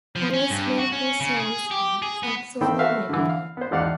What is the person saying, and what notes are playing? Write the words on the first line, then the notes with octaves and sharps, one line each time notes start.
Covers many Who songs and some solo material.
F3
C#4
G2
F#4
C#4
C#3
G#4
G4
G#4
B3
D#3 E3 C4 A4 G5 B5
F#4 A4 B4 E5 F5
D3 E3
F5
B3 C5
G#1 E2 D#4 D5 F5 F#5